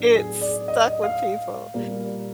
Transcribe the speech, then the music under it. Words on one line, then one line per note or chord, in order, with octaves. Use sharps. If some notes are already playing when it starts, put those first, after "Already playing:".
It stuck with people.
Already playing: A2 F#3 B3 D4
G#4
D5
D#5
D#5
F5
A#2 G3 A#3